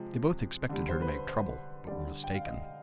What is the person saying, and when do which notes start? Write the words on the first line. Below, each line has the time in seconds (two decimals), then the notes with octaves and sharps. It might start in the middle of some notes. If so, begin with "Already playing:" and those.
They both expected her to make trouble but were mistaken.
Already playing: C3 F3 G#3
0.69 D3 G3
0.89 C5
1.02 B4
1.08 C5
1.28 C5
1.87 D3 G3 D5
2.24 G5
2.35 F5
2.46 D#5